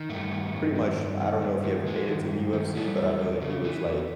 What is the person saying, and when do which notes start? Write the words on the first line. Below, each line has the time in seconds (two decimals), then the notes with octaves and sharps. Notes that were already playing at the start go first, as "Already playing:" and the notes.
pretty much I don't know if he ever made it to the UFC, but I know that he was, like,
Already playing: D#3
0.09 G2 A3
0.31 D#3
0.54 G2
0.76 D#3
0.98 G2
1.20 D#3
1.42 G2
1.64 D#3
1.87 G2 G#3
2.09 D#3
2.31 G2
2.53 D#3
2.75 E3 G3
2.98 E2
3.19 E2
3.41 C#3
3.64 E3
3.85 E2